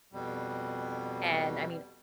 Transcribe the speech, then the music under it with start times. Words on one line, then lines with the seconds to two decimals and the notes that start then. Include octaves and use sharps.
And, I mean,
0.13 F2 B2 G3